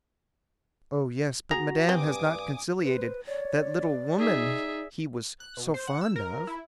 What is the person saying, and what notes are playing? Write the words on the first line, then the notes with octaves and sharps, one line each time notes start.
"Oh, yes; but Madame has not conciliated that little woman he was so fond of."
F#4 G#4 A#5
G2 C4 G#5 D6 D#6
B4 C5
C#5 D5
D#4 G#4 E5
F#6
B2
C5
F#5
E6
A#4
E4